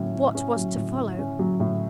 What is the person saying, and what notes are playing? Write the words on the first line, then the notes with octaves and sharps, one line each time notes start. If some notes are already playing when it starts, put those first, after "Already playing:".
What was to follow?
Already playing: A2 F#3 C#4
E4
C#4
F#3
A2
E4
C#4
F#3
A2